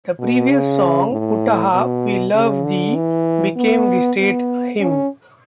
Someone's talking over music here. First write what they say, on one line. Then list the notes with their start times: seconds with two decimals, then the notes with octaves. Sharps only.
The previous song, "Utah, We Love Thee" became the State Hymn.
0.19 B2
0.50 C#3
1.12 A2
1.73 B2
2.34 C#3
2.65 D3
2.95 E3
3.57 B3
4.18 B3
4.80 C#4